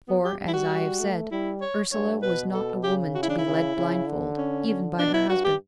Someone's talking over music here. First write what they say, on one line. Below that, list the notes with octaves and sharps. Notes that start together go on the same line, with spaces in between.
For, as I have said, Ursula was not a woman to be led blindfold, even by her husband.
F#3 B3
G4
G3
E4
F#4
A3
G3 E4
C#5
G2 C#5
B2 B4
A4
C#3 G4
F#4
E4
D4
E4
C#3
C#3
D3
C#4
D3
B2 D4
E4
G2 F#4
G4